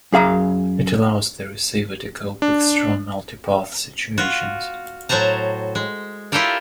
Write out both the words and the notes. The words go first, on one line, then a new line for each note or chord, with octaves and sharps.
It allows the receiver to cope with strong multipath situations.
F#2 G#4 F5 A#5
D4
F4 F#4
A2 F#3 F#4 C5 A5 A#5
G#3
E4 F4 G4 A4 A#4 D5